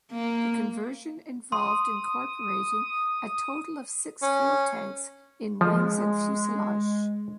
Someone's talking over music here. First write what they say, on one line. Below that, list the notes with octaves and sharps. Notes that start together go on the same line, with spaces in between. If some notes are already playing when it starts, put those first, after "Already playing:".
The conversion involved incorporating a total of six fuel tanks in wings and fuselage.
A#3
C6 D#6
C#4
F3 G#3